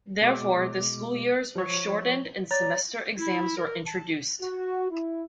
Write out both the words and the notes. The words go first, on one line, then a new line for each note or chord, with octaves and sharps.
Therefore, the school years were shortened and semester exams were introduced.
B2 G#3 D6
F3 C#5
C#5 D5 A#5 A6
E4
A#4
A5
F#4
E4